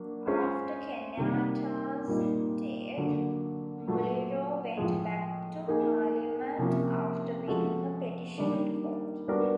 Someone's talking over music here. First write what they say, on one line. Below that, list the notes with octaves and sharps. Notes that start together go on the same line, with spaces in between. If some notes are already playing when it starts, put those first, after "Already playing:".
After Kenyatta's death, Muliro went back to Parliament after winning a petition in court.
Already playing: F#3 A#3 D4
G#3 C#4 F4 G#4 C5
C3 D#3 G3 A#3
A#2 G3 A#3 D#4
D3 F#3 A#3
A#2 F#3 A3
A2 F3 G#3
A#3 D#4 G#4
C3 F3 A#3 C#4 E4
F3 G#3 C#4 F#4 A4
D#3 G3 A#3 D4
G3 B3 D4 F#4 A#4